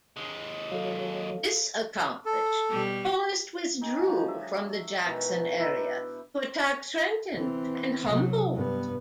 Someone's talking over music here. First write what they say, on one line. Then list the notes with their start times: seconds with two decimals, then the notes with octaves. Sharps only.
This accomplished, Forrest withdrew from the Jackson area to attack Trenton and Humboldt.
0.16 D#2 G#3
0.71 F#3 A4 F5
2.26 A4
2.70 B2 G3
3.81 D#4 G4 G#4
4.06 F3 F#3 G#3 D4
4.28 E5
5.04 B2 D#3 E3 G#3
5.58 D#4 E4 B4 E5
5.77 D4
7.34 E3 C4
8.05 C3 F#3
8.53 G2 B3